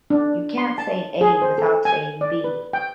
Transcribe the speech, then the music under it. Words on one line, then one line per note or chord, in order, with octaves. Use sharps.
You can’t say A without saying B.
D4
C6
A5
G#4
C5
A4
G#5
D5
B4
G5